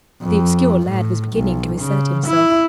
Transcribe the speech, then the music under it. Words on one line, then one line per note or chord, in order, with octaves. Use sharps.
The obscure lad was beginning to assert himself.
F2
A2
B1
C#3
E4